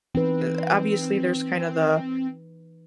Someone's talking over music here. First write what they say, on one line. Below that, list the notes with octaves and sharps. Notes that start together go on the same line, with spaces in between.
eh, obviously, there's kind of the
E3 C4 D#4 B4